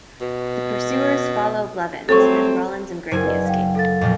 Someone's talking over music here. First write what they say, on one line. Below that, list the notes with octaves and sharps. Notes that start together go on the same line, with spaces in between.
The pursuers follow Blevins, and Rawlins and Grady escape.
B2
F#3 G3 A3 C4 A4 C#6
F#1 A#4 C5 G#5
B4 D5 D#5
F5 G5
A4 F5 A6
F2 A#2